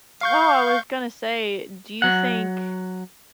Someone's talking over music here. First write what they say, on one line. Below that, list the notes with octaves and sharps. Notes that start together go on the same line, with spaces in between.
Oh, I was gonna say, do you think
F5 C#6 G6
F#3 F#5